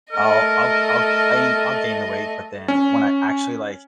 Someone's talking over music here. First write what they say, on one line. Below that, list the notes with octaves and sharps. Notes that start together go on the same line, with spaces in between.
I'll I'll I'll I I'll gain the weight, but then when I actually, like,
A3 A#4 D#5
C#4